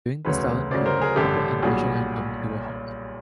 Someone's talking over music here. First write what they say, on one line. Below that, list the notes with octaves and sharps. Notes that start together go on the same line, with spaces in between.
During the Stalin period, puppet animation had come to a halt.
E1 D2 C#3 F#3 B4 C#5
D2 C#3 F#3 C5 D5
A#4 C5
G#4 A#4
A1 G2 D3 G4 A4
B1 A#2 G3 F#4 G#4